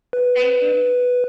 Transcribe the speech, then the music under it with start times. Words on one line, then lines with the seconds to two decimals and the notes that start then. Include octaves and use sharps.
thank you
0.13 B4